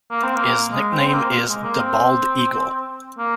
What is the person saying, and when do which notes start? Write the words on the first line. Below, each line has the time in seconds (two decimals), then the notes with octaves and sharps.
His nickname is "The Bald Eagle".
0.11 A#3
0.23 C4
0.36 A#3
0.72 G#3
0.92 C4
1.04 C4
1.13 A#3
1.49 G#3
1.64 A#3
1.79 C4
3.18 A#3